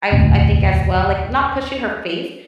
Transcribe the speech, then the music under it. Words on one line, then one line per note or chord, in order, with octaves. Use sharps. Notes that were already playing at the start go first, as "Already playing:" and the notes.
I've I think, as well, like, not pushing her faith,
E1 D2 A2 C3